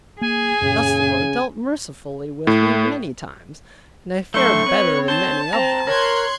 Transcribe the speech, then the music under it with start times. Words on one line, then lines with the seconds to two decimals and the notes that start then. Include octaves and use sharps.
Thus the Lord dealt mercifully with me many times, and I fared better than many of them.
0.21 A#3 G#4 G#5
0.62 F#2 A#2 C#3
2.47 A2
4.34 A2 F#3 A3 D4 C5 C#6
4.66 C4 B4 C#5
5.08 C5 A5
5.53 C4 A#5
5.87 A#4 C#5 C6 F#6 G#6